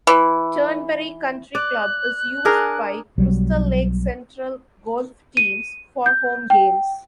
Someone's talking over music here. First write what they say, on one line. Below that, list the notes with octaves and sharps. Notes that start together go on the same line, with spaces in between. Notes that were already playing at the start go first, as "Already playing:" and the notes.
Turnberry Country Club is used by Crystal Lake Central golf teams for home games.
E3
D5 F#6
D4 G#4 A#4
B1 F#3 G3
D#7
G6
G5